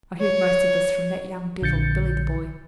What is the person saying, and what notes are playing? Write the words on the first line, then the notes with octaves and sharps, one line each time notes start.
'I heard most of this from that young devil, Billy the Boy.
C#5
A#1 D3 G6 A6 C#7